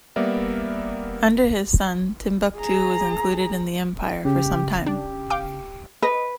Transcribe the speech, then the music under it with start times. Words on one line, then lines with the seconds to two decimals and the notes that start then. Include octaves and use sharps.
Under his son, Timbuktu was included in the empire for some time.
0.16 G3 A#3 B3 A#4 D5 E5
2.58 G#4 A#5
4.25 C#3 G4
4.86 D4 G4
5.30 F5 G5 D6
6.03 B4 D#5